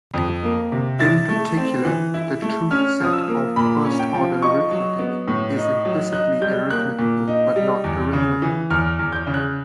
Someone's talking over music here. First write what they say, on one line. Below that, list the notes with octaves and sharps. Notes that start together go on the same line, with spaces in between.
In particular, the truth set of first-order arithmetic is implicitly arithmetical but not arithmetical.
F2
A#3
C3
E4 A6
A3
C4
E3
E4
A3
C#4 F6
F3 D#6
E6
A#3
A#2 B5
C#4
G5
F3
D#4 C#6
F#3
B3
A2
D#4
F#3
D#4 F#6
G3 G6
A#3 F#6
A#2
D#4
G3
E2
C#3
E3
E2 F6
E2
G6
C#3
F#6